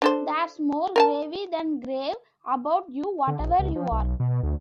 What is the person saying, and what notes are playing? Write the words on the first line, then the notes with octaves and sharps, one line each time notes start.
There's more gravy than grave about you, whatever you are!
D4 A4 C5
A#4 G#5 A5
D3
A#1
C#2
F3
B1
B2
D2